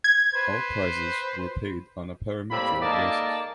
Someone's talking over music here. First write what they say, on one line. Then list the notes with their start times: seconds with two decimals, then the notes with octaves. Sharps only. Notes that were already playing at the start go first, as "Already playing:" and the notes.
All prizes were paid on a parimutuel basis.
0.04 G#6
0.33 B4 C5
2.51 A2 G3 A#3 C4 B5
2.82 G#2 A#3 A4 D5 D#5 A5